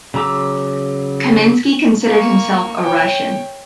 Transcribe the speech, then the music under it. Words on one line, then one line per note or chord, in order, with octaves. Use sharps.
Kaminski considered himself a Russian.
C#3 F#3 A#5 D6 E6
A#3 C#6
C#5 G5